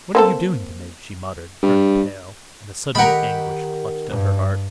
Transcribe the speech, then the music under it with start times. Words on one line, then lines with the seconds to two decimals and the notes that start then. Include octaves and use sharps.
"What are you doing to me?" she muttered, turning pale, and a sudden anguish clutched at her heart.
0.15 A#3 C4 A4
1.62 G2
2.95 D#3 G4 A#4 F#5 B5
4.09 G2